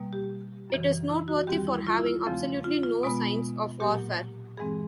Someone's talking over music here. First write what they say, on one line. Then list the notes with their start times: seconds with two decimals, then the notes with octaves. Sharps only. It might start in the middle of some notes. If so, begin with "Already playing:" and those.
It is noteworthy for having absolutely no signs of warfare.
Already playing: B2 G3 A#3
0.13 G4
0.70 F#2 C#3 E3
1.09 E4
1.28 F#4
1.47 D#2 D#3 G3 C4 G4
1.67 E4
1.87 F4
1.97 E4
2.06 F4
2.25 E2 C#3 F3 A3 C4
2.64 F4
2.83 F4
3.03 B2 G#3 B3
3.80 A#2 F#3 A#3 G4
4.57 G2 E3 G#3 C4 G#4